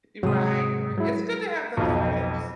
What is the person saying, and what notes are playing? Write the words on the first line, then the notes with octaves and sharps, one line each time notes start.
Right, right. It's good to have those friends,
G#2 C3 F#3 G#3 D#6
F#3 G#3 E4
B1 F2